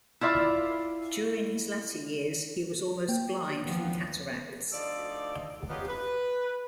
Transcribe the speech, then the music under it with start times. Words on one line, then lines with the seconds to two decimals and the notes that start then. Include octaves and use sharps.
During his latter years he was almost blind from cataracts.
0.21 E4 F4 D5 E5
3.08 A#3 G5
3.62 D#2 F3 B3
4.72 D2 F3 D#4 A4 D5
5.70 G#3 B3 C#4 D#4 F4 G4
5.88 B4